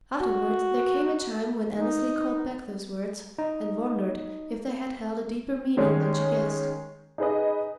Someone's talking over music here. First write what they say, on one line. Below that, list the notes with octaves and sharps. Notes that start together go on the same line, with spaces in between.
Afterward there came a time when Annesley called back those words and wondered if they had held a deeper meaning than she guessed.
F#4
D#4
D#4
D#3 G#3 C#4
D#4 G#4 B4 D#5